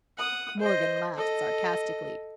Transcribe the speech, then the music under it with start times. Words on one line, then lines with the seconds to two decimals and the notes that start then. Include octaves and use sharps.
Morgan laughed sarcastically.
0.18 F#5 D#6
0.60 C5 D#5
1.16 A4 D#5